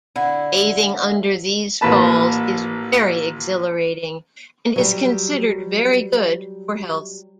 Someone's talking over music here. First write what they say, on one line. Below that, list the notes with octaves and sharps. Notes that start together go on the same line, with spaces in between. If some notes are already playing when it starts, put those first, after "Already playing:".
Bathing under these falls is very exhilarating and is considered very good for health.
D3 E4
A1 A#2 B4 A5
F#3 G3